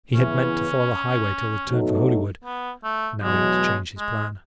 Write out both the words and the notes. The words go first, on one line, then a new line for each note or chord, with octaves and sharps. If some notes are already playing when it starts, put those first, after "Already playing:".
He had meant to follow the highway till the turn for Holywood, and now he had to change his plan.
C#3 E3 B3 C#4 E4
B2 F#3 A3 D#4
B3
A3
E2 B2 F#3 G#3
G#3